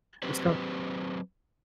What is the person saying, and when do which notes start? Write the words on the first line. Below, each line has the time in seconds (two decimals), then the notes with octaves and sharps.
it's got
0.23 F#3 C4 G4 B4 C5